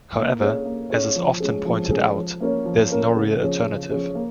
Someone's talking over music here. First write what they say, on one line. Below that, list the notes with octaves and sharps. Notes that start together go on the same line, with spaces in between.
However, as is often pointed out, there is no real alternative.
A#3
C#4 G#4 C#5
A#3
C#4 G#4 C#5
F3
G#3 C#4 G#4
F3
G#3 C#4 G#4
F3
A#3 C#4 A#4 C#5
F3
A#3 C#4 A#4 C#5
C#3
F3 C#4 G#4 C#5
C#3
F3 C#4 G#4 C#5
A#3